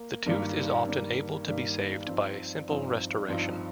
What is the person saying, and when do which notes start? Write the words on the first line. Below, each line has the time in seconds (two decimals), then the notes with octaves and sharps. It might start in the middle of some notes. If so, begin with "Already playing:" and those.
The tooth is often able to be saved by a simple restoration.
Already playing: A#3
0.26 G2 D#3 G3 A#3
0.86 G2 D#3 G3 A#3
1.47 G2 D#3 G3 A#3
2.07 G2 F3 C4 D#4
2.68 G2 F3 C4 D#4
3.28 G2 F3 C4 D#4